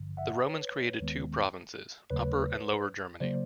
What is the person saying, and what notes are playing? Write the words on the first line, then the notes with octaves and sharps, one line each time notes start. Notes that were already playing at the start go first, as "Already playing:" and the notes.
The Romans created two provinces: Upper and Lower Germany.
Already playing: G#1 G2 D3 F3
E5 F#5
B4 C#5
D#2 D#3 G#3 B3
D#2 C#3 F#3 A3 B4 C#5
C#3 F#3 A#3 C5 D5